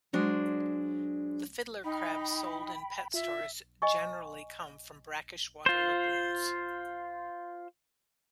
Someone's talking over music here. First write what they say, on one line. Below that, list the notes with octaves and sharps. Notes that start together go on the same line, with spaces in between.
The fiddler crabs sold in pet stores generally come from brackish water lagoons.
F#3 G#3 D4 C5
D#4 G5 B5
F4 E5
D#5 G#5 C#6
F4 C5